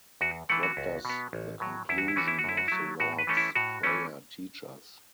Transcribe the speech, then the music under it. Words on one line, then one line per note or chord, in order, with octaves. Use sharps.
What does the conclusion of the Lord’s Prayer teach us?
E2 F#4
E3 A3 F#5
F#4
C#2
B2 B3
A1
A2 F#3
E2 E4
F#4
E4
E3 A3 C#4 F#4
E4
F#4
F#2 E4
F#4
F#3 A3 E4
A2 F#4
B4
E3 A3 C#4
E4
A2 F#4
E3 A3 C#4